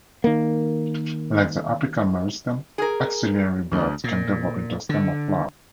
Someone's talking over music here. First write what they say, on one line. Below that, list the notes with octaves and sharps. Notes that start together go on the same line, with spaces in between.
Like the apical meristem, axillary buds can develop into a stem or flower.
D#3 A#3
G#4 A#4
D2
A#2
D3